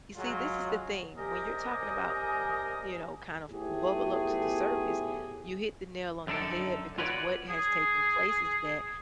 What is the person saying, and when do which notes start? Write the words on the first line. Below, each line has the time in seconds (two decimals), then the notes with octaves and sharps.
You see, this is the thing, when you're talking about, m you know, kind of bubble up to the surface you hit the nail on the head because what has taken place is that
0.16 F#3 G#3 F4 G#4
1.17 C2 G4 A#4 D#5 G#5
3.50 B1 A2 A3 B3 G4 G#4
6.27 F#2 D3 D4 D#4 A4
6.98 F4 F#4 B4 C#5 D5
7.49 G#4